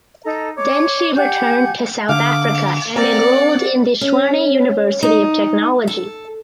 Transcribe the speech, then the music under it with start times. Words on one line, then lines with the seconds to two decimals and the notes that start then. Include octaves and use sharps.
Then she returned to South Africa and enrolled at the Tshwane University of Technology.
0.25 D#4 A4 A#5
0.56 C#5 D6
1.16 G4 F#5 G#5 G6
2.09 D3 F5 D6
2.96 C4 A#4 D5 F#5
4.01 C#4
5.03 D#4
5.87 A4